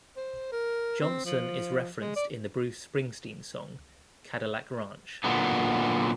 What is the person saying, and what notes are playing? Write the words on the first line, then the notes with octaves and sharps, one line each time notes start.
Johnson is referenced in the Bruce Springsteen song "Cadillac Ranch".
C5
A#4
C4
F3
G#3
D5
A#2 D3 F#3 B3 D#4